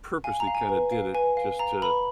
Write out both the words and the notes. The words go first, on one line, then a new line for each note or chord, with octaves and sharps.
purposely kinda did it just to
F5 G#5
A#5
F5
G#5
B4
F5
B4 G#5
F5
F5 A#5
B4 B5